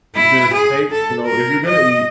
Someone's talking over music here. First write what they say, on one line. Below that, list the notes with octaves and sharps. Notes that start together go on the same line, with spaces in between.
You just take you know, if you're gonna eat,
E4
G#4
A4
A#4
D#5